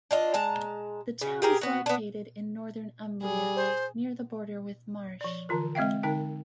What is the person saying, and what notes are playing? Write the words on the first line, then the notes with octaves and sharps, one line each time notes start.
The town is located in northern Umbria, near the border with Marche.
D4 F4 D#5
G#3 A5 A#5
C#3
G4 G#4 A#4
B3 F#4
B3 D4
G3 G#4
C5
F3 D5
D3 E3 F4 A#4
G#3 C4 E5 F5 G5
D3 D#4 A#4 G5